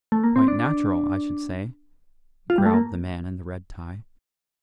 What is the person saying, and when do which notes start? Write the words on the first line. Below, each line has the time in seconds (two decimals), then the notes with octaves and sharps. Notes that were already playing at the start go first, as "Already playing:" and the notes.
"Quite natural, I should say," growled the man in the red tie.
0.12 A3
0.24 A#3
0.36 C4
0.48 D4
0.60 D4
2.50 F4
2.58 G3
2.66 A3
2.74 A#3